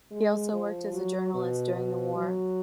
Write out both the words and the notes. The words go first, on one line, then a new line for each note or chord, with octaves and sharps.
He also worked as a journalist during the war.
G#3
F3
F#3
B2
B2
F#3